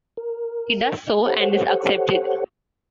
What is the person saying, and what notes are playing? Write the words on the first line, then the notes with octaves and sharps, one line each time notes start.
He does so and is accepted.
A#4
G4 A4 C5 C#5 F#5